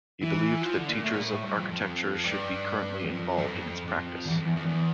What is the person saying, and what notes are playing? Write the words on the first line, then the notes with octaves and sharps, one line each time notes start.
He believed that teachers of architecture should be currently involved in its practice.
E3
F3
D3
A#2
A2
A#2
A2
G2
F2
F2
G2
F2
G2
F2
F2
E2
F2
E2
F2
E2